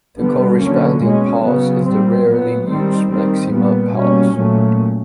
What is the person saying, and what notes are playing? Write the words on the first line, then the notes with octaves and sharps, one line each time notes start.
The corresponding pause is the rarely used maxima pause.
D3 G3 B3
D3 F#3 A#3 C#4
B2 G#3 C#4
C#3 F#3 B3
A#2 G3 C4
A#2 F#3 B3
D#3 G3 C4
D#3 G3 C4
A#2 G3 B3
B2 G3 A#3 C#4
A#2 F#3 A3 C#4